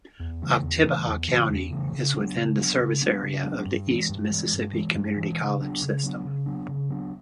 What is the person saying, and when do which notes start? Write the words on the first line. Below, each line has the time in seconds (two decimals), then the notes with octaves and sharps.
Oktibbeha County is within the service area of the East Mississippi Community College system.
0.20 E2
0.42 C#3 E3 A3
0.63 E2
0.85 C#3 E3 A3
1.06 E2
1.28 C#3 E3 A3
1.49 E2
1.71 C#3 E3 A3
1.93 C#3
2.14 F#3 B3 D4
2.36 C#3
2.57 F#3 B3 D4
2.79 C#3
3.01 F#3 B3 D4
3.22 C#3
3.44 F#3 B3 D4
3.65 G2
3.87 E3 G#3
4.09 G2
4.30 E3 G#3
4.52 G2
4.73 E3 G#3
4.95 G2
5.17 E3 G#3
5.38 C#3
5.60 F#3 B3 D4
5.82 C#3
6.03 F#3 B3 D4
6.25 C#3
6.46 F#3 B3 D4
6.68 C#3
6.90 F#3 B3 D4